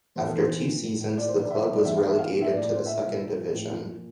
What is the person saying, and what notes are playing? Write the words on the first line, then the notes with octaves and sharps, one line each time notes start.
After two seasons, the club was relegated to the Second Division.
E2 C5
A4
E2
C5
A#2
F3
A2
A2
A#2 D5
C5
F3
D5
A#2 E5
E5
G3
D5
E2 E5
F5
E2
E5
A#2 F5
F3
E5
A2 D5
D5
A2
C5
A#2 E5
G3
A#2
F3
A2
F3
A#2